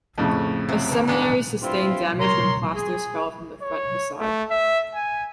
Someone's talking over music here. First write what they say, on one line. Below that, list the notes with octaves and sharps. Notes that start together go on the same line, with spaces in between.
A seminary sustained damage when plasters fell from the front facade.
F2 A2 C#3
C3 F3 F#3
B2 D#3
D#3 G#3 D4
G2 C4 E4 F4
A#4 C#5 A#5 C6
G#4
C#5
A3
E5
G#5